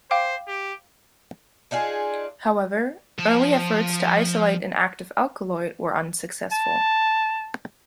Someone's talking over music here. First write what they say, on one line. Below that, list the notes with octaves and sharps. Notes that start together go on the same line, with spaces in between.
However, early efforts to isolate an active alkaloid were unsuccessful.
C5 F5 G5 D6
G4
D4 D#4 F4 G#4
F3 A5
A5